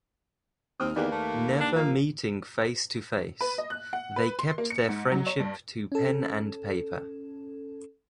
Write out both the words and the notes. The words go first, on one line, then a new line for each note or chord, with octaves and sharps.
Never meeting face to face, they kept their friendship to pen and paper.
D#2 C4 D#6 F6
E2 D#3 A#3 G4 B4 D5
D#2 A3
D4
F3 A#3 F5
B4
D#5
F#6
F#5
B4
C6
A#3
C#7
G#2
F#3
C#5
G2
C#4 A4